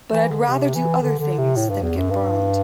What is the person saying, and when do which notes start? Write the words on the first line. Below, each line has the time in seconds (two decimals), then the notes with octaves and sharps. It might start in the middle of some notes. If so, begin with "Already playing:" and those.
But I'd rather do other things than get burned.
0.12 E3
0.30 D3
0.48 C3
0.75 E3
1.02 D3
1.20 D3
1.38 C3
1.56 A2
1.70 G2
1.83 E2
1.97 F#2
2.10 G2